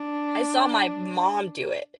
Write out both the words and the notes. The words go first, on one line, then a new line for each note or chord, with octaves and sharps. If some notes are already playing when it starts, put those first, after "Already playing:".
I saw my mom do it.
Already playing: D4